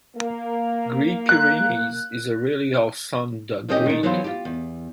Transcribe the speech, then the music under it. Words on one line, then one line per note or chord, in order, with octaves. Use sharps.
Great Pyrenees is a really awesome dog breed.
A#3
F#6
E2 D#3 C4 C#4 G4 D#5
A#2 D#3
E3 F#3 B3 E4 F4 C5
F4 G4
E2